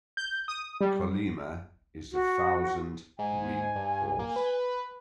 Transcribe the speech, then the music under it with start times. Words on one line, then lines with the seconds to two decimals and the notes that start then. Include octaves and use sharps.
"Chollima" is the thousand-"ri" horse.
0.17 G6
0.48 D#6
0.80 G3
2.12 F#4
3.19 G#2 G#5
3.75 G2
4.19 A#3
4.36 B4